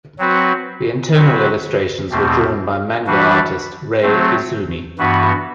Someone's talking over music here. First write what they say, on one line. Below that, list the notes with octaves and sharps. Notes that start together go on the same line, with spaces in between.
The internal illustrations were drawn by manga artist Rei Izumi.
F#3 C4 F#4 B4
F#3 C4 F#4 B4
E2 B2 A3 C4
E3 G3 D4 F#4 B4
F#3 A3 C4
G2 E3 B3 F#4 B4